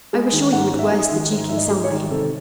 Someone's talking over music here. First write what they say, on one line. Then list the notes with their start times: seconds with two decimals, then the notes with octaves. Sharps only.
I was sure you would worst the duke in some way.
0.13 G#3
0.32 D#3
0.52 G#2 F#5
0.73 G#2
0.79 E5
0.92 G#3
1.05 E5
1.11 D#3
1.31 G#2
1.49 G#2 E5
1.57 D#5
1.71 G#3
1.84 C#5
1.90 D#3
2.10 C3 A4